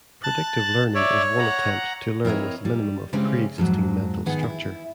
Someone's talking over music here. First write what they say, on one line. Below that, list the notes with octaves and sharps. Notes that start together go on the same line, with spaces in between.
Predictive learning is one attempt to learn with a minimum of pre-existing mental structure.
A5 F#6 A6
C#5 D5 E5
F#5 A#5
C4 E4 A#4 C#5 D#5
G3
C#3 G3 G#3 C4 C#4 E4
F2 G#2 F#3
D#3 B3 G#4 F#5 G#5
E4